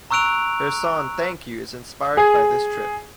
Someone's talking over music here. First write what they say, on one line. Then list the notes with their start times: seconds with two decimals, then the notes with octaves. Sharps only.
Her song "Thank You" is inspired by this trip.
0.11 A#5 C#6 E6 F#6 D7 F7
2.17 G#4